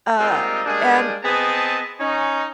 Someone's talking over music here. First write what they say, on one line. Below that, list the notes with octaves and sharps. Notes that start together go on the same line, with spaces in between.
uh, and
G3 G#3 A#3 C4 D#4 F4
G3 G#3 A#3 D4 G#4
B3 C4 G#4 B4 D#5 A5
C#4 D#4